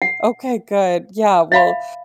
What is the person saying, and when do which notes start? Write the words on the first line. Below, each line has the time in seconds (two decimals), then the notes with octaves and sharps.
Okay, good, yeah, well,
0.02 F#5
1.52 E5 F5 B5